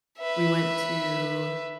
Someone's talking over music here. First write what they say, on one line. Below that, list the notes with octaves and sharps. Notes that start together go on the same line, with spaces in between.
we went to,
B4 E5